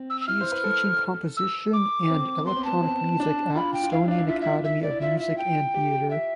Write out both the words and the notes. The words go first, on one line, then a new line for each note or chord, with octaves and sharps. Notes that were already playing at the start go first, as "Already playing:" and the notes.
She is teaching composition and electronic music at Estonian Academy of Music and Theatre.
Already playing: C4
E6
E6
E4 F6
C5
B4
A4
E6
D6
C4
B3 C6
C4
B3 A5
C4
D4
F4 B5
G5
F4
E4 F5
D4 F5
E4
F4 E5
E5
E5
D5
E4
F4 E5
E5
G5
G4
E5